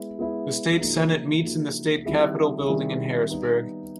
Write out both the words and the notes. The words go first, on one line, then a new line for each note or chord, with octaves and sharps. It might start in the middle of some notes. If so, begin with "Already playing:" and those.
The State Senate meets in the State Capitol building in Harrisburg.
Already playing: G#3 B3 E4
G#3 B3 E4
C#3 F3 A#3 D#4 F#4
C#3 F3 A#3 D#4 F#4
D#3 G3 C4 E4 G#4
D#3 G3 C4 E4 G#4
G3 B3 D#4